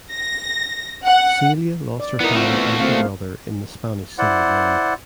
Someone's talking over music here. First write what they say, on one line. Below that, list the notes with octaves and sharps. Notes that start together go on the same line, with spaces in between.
Celia lost her father and her brother in the Spanish Civil War.
A#6
F#5
D5
B3 D#4 E4 A#4
A3 C4 F4 F#4
B3
A#3 C4 F5
E4 C5 D5 F#5